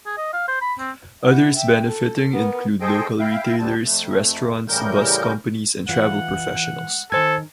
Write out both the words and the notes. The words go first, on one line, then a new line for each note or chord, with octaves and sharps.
Others benefiting include local retailers, restaurants, bus companies and travel professionals.
G#4
D#5
F5
C5
B5
C4
E4 F#5
E5 G5
A4
B3 A#4
G#4 A4 C5 D#5 G5
E4 E5 F5 G5
D2 B2 G3 C4 A5
F2 A3
A2 C#3 E3 G3 A#4 G6
E3 E4 F4 F#5
D#3 A4 C5 G#5 G#6